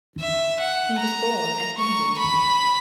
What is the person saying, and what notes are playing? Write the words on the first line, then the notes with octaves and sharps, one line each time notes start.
He was born a Hindu.
E5
F#5
A#5
C#6
B5